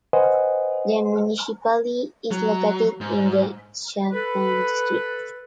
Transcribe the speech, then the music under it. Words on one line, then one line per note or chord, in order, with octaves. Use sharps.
The municipality is located in the Schaffhausen district.
B4 C5 D#5 F#5 G#5
F#3
G#2
A4 B4